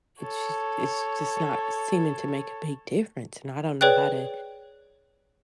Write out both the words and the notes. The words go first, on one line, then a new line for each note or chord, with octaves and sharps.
it's just it's just not seeming to make a big difference, and I don't know how to
A4 C#5
G#4 B4 C#5 D5 G5 F#6